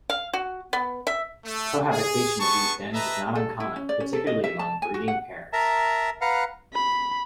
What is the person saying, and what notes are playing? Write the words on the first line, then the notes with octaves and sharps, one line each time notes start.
Cohabitation of these dens is not uncommon, particularly among breeding pairs.
F5
F#4
B3
E5
A3
G#4
B3 G#4 A5 C#6
B4 D#5 E5 A5 A#5
A4
E4
C#4
D5
C#4
A4
D#5
E5
A5
G#5
F#4
F#5
A#4 E5 A5 A#5
B4 F5 F#5 A#5
B5